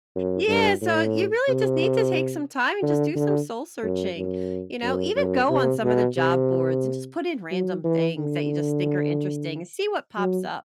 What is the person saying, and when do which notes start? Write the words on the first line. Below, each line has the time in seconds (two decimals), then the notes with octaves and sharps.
yeah, so you really just need to take some time and just do some soul searching. You know? Even go on some of the job boards, and just put in random things that you just think are interesting. See what pops up.
0.15 F#2
0.48 G2
0.82 A2
1.49 C3
2.83 D3
3.16 D3
3.83 F#2
4.16 F#2
4.83 F#2
5.16 F#2
5.49 C3
5.83 B2
6.17 C3
7.51 F#3
7.84 E3
8.18 D3
10.17 F#3